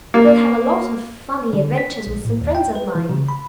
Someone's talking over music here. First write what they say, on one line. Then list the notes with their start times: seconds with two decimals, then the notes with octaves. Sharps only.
We'll have a lot of funny adventures with some friends of mine.
0.14 A#3
1.53 D3
1.78 B6
2.07 A#1
2.25 A2
2.41 D#2
2.55 G5
2.75 B4
2.95 E3
3.10 C#3
3.29 B5